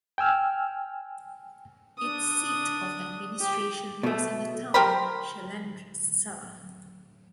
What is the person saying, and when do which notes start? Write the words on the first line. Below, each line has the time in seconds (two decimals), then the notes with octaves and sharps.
Its seat of administration was in the town Chalandritsa.
0.18 G5 G#5 E6 F6
1.98 D4 D#6
3.40 G4
4.03 B2 A3
4.74 G4 A#4 C5 B5